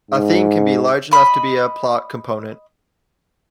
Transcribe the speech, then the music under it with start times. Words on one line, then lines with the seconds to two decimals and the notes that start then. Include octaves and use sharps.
A theme can be large enough to be a plot component.
0.11 G#2
1.11 D#5 B5